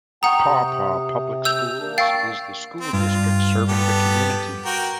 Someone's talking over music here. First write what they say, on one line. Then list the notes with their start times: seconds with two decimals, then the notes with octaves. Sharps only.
Paw Paw Public Schools is the school district serving the community.
0.23 F#5 G5 A#5 C#6 D#6
0.43 C3
1.45 E6 G6 F7
1.80 A#3 D4
1.98 F5 G5 C#6 E6 A6 C7
2.81 C4
2.93 G2 F4
3.69 B3 G4 A4
4.66 F#4 A#4 G5